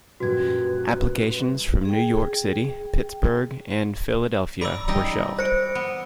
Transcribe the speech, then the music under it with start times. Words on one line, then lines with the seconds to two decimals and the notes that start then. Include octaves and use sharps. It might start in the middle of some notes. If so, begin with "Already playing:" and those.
Applications from New York City, Pittsburgh and Philadelphia were shelved.
0.20 F#2 A#2 G3 F#4 B4 G#6
1.85 G#4 G5
4.61 D5 A#5 B5 D6 E6
4.88 G3 D#4 G4 E6 A#6
5.39 C5 A#6 C#7 D7
5.75 B3